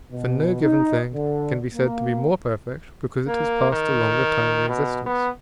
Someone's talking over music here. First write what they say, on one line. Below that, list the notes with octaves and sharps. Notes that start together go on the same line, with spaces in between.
For no given thing can be said to be more perfect, because it has passed a longer time in existence.
B2
D#4
D3
A#3
A#3
D#3
B2
B3